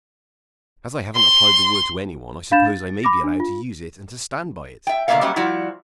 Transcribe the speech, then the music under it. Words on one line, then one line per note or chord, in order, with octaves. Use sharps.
As I haven't applied the word to anyone I suppose I may be allowed to use it and to stand by it.
C6
D4 F5 B5 G6 A6 E7
A6
B5 D6 A#6
D4
F4
E5 G5
B2 D3 G#3 A#3 E5 F5
F#3 G3 A#3 C#4
F3 G3 E4 F#4